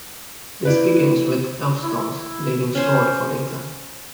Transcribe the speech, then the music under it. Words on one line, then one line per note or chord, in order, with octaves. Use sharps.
This begins with "Elfstones", leaving "Sword" for later.
E4 B4 D5
E4
C#4 C5